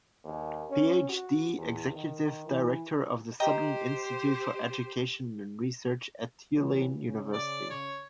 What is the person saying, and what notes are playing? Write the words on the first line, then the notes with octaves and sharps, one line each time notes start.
Ph.D., Executive Director of the Southern Institute for Education and Research at Tulane University.
D#2
C#4
F#4
E2
D#3
E3
G4 C5 D#5 G5 A#5
B2 E3 F#3
C#3
D5
C#5